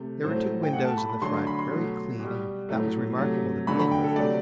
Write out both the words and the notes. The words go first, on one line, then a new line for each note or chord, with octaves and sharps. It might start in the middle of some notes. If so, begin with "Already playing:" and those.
There were two windows in the front, very clean, and that was remarkable to begin with.
Already playing: C3 A3
A2 F#3 A3 C5
G5
B2 A3 F#5
A5
B5
B5
D3 F#3 A3 C6
C6
B5
C6
B2 F#3 A3
B2 G3
A2 F#3 A3
C3 F#3 A3
D3 F#3 A3 B5
B5
G5
A4
C3 F#3 A3 D5